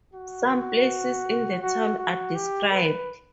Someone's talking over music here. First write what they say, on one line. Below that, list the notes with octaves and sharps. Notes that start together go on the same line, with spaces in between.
Some places in the town are described.
F#4
F#4
F#4
G4
B4